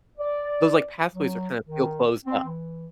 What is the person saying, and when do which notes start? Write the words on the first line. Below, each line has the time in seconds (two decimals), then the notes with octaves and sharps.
Those, like, pathways are kinda feel closed up.
0.18 D5
1.13 F#3
1.68 D#3
2.25 C4
2.45 E3